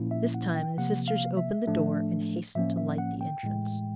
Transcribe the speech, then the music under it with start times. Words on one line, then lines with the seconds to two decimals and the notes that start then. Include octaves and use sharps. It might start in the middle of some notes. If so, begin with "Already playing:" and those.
This time the sisters opened the door and hastened to light the entrance.
Already playing: A#2 F3 A#3 C#4 E4
0.11 E5
0.34 F#5
0.55 G5
0.78 C3 F3 A#3 F#5
1.08 F5
1.37 E5
1.67 A2 F3 A3 D4
2.55 A2 F3 A#3 C#4 E5
2.77 E5
2.98 F#5
3.21 G5
3.43 A2 E3 G#3